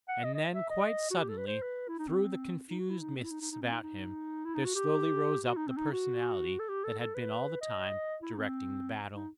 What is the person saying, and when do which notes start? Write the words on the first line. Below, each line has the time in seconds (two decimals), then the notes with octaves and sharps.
And then quite suddenly, through the confused mists about him, there slowly rose up the Personality that had been all the time directing the battle.
0.08 F#5
0.24 D#5
0.34 D#5
0.54 E5
0.70 D#5
1.11 F#4
1.20 G4
1.29 A4
1.38 B4
1.47 C5
1.62 B4
1.88 E4
1.98 D#4
2.08 C4
2.70 D#4
2.80 F#4
2.90 E4
3.01 D#4
3.16 C4
3.24 E4
3.31 D#4
3.41 D#4
3.51 D#4
3.61 C4
3.72 D#4
3.83 D#4
4.45 E4
4.54 D#4
4.65 F#4
4.75 G4
5.46 F#4
5.57 D#4
5.67 C4
5.77 D#4
5.92 F#4
6.59 A4
6.69 G4
6.84 A4
7.00 A4
7.15 B4
7.61 D#5
8.22 E4
8.33 D#4
8.38 C4
9.15 D#4